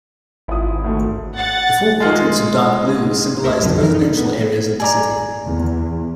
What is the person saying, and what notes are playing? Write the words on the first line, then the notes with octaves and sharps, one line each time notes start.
The four quadrants of dark blue symbolize the residential areas of the city.
G#1 E4 F4 D#6
D2 A3
F#5 A6
G#3 F4
D2 A#4 C5 E5 C#6 E6
C2 F#2 D3 D#3 F3
E3 A#4
D#4
B3
G#4 D5 A#5
E2